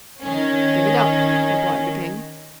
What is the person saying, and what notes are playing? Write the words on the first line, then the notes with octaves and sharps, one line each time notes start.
"Give it up," replied the King.
D#3 C#4